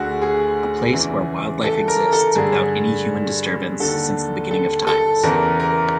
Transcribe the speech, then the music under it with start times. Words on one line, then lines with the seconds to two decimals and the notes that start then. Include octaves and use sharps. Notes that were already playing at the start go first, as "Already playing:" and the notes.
A place where wildlife exists without any human disturbance since the beginning of times.
Already playing: D2 D3 F#4 G#4
0.22 G#4
0.93 E2 C#3 E3
1.64 A4
1.88 A#4
2.13 A4
2.36 G2 D3 G#4
3.80 D#2 D3 A4
4.51 A4
4.87 A4
5.23 E2 C#3 E3 A#4
5.60 A#4